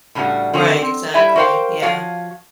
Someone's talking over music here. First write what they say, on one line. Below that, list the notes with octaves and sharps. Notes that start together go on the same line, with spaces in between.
Right, exactly, yeah.
A2 C#3 G3 D4 F#4
D3 C4 F#4 G#5
C4
G3 E4 E5 G#5
F#4 A#4 C5 F5 G5
F3 F#4 C#5 F5